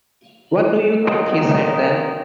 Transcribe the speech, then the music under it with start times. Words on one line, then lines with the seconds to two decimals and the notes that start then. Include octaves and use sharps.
What do you think he said then?
1.02 B1 A#2 D#3 D#5